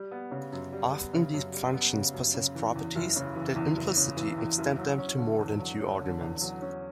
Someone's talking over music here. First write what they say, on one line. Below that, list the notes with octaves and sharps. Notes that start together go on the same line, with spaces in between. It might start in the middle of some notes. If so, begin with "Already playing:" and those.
Often these functions possess properties that implicitly extend them to more than two arguments.
Already playing: G3
B3
C#3
F#2
G3
B3
C#3
F#2
G3
B3
C#3
F#2
C#3
E3
E2
F#1
C#3
E3
E2
F#1
C#3
E3
E2
F#1
F#3
C#4
D3
E2
F#3
C#4
D3
E2
F#3
C#4